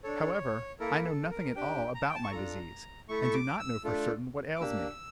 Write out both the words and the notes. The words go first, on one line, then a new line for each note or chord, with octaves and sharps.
However, I know nothing at all about my disease, and do not know for certain what ails me.
D4 A4 C#5
A#3 E4 A4 A#4
A4
A#4
D4 G4 G5
A#5
A5
G5
A5
C#6
D4 F4 A4 A#5
A3 E4 A4 C#6
C#6
D6
E6
A3 D4 F4 A4
D6
A#3 D4 G4 E6